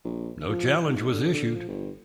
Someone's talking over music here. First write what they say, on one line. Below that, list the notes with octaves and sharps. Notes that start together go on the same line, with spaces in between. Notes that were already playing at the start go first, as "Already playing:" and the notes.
No challenge was issued.
A#1
F3
G#2
D3
D3
F3
G1